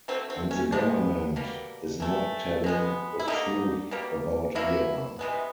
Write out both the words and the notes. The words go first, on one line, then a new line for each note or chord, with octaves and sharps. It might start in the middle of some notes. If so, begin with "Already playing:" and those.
And the government is not telling the truth about Vietnam.
D3 F#3 A3 C4
C4
C#4
C3 F3 G#3 B3 D4
B2 G3 A#3
E3 A3
B2 G#3 B3
E4
D3 G3 A#3 D#4
B2 G3 A#3
B2 F#3 A#3 E4
C3 E3 G#3 B3